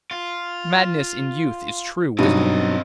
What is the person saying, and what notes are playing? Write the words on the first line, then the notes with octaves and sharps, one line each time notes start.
'Madness in youth is true wisdom.
F4
B1 G2 F#3 C4 D#4 D#5